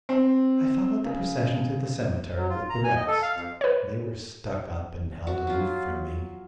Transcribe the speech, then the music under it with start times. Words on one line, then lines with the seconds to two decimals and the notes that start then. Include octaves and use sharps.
I followed the procession to the cemetery with the rest; they were stuck-up and held aloof from me.
0.09 C4
1.05 C#3
2.37 F#3
2.50 F4
2.69 A#5
2.84 G#5
2.96 D#5
3.08 A4
3.22 F5
3.35 F2
3.61 B4 C#5
5.27 F#4
5.47 F#3 F4